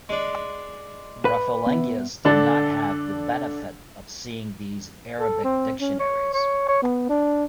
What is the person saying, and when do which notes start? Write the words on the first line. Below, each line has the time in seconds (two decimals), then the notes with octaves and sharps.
Raphelengius did not have the benefit of seeing these Arabic dictionaries.
0.09 G#3 D4
1.25 B4
1.67 B3 E5
2.25 D3 D4 A4
5.20 A4
5.44 C4
5.80 C#4
5.99 C#5
6.33 C#5
6.68 C#5
6.83 B3
7.09 D4